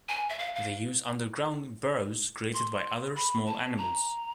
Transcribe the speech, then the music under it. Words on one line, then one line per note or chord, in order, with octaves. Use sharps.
They use underground burrows created by other small animals.
G#5
E5
F5
F5
C6
B5
A5
A#5